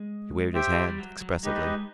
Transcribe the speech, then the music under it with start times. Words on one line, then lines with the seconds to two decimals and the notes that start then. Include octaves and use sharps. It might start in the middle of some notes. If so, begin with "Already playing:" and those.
He waved his hand expressively.
Already playing: G#3
0.54 G4 C5 E5 G5
0.88 G3
0.98 F#3
1.21 F#3
1.43 G#3 D#4 G4 B4 D#5
1.55 A3
1.67 G#3